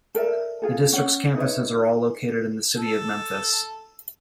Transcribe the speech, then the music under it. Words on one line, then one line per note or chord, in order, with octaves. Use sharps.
The district's campuses are all located in the city of Memphis.
A4 A#4 D5 E5
F4 G#4 A4
C#4 F#5
D#4 B4 C#5 E5
A4